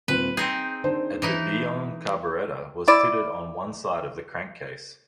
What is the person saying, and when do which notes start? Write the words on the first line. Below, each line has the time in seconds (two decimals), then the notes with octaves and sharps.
A De Dion carburetor was fitted on one side of the crankcase.
0.08 D#1 C4 B4
0.37 C4 D#4 G#4 G6
0.84 D#3 D4 C5
1.22 E3 D#4 E4
2.88 E4 D5